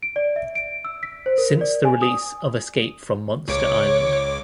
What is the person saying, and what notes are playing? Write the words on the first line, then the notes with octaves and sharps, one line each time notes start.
Since the release of Escape from Monsta Island!
D7
D5
E5
D7
E6
B6
C5
A#4
D5
G#5
D#6
C#2 C#5 D6